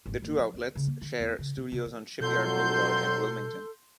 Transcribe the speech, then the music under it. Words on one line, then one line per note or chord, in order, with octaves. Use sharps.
The two outlets share studios on Shipyard Boulevard in Wilmington.
G#1
F#1
F3
D2
C#3
A#3
D3
E2
C#3
B2
C3
E3
F2 B2 F#3 A4 C6 G6